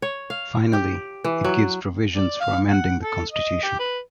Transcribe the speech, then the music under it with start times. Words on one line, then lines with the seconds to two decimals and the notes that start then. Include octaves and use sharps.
Finally, it gives provisions for amending the constitution.
0.02 C#5
0.30 F5
0.73 G4
1.24 E3
1.44 F#3
2.15 D5
2.40 F5
2.68 F#5
3.02 A4
3.32 D#5
3.63 G4
3.79 B4